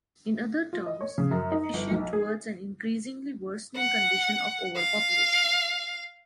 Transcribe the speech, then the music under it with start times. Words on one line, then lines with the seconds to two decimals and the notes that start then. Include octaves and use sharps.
In other terms, efficient towards an increasingly worsening condition of overpopulation.
0.73 F4
0.86 D#5
1.01 C#5
1.18 C#3
1.31 F#2
1.52 D#4
1.74 G1
1.91 B1
2.13 G#4
3.75 F#5
4.77 F5